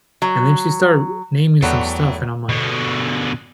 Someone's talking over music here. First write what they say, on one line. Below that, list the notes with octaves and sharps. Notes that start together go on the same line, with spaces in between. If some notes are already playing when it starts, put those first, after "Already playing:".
And then she started naming some stuff, and I'm like
F#3
E2 F#3 A3 B3 A4 D5 G5
B2 D3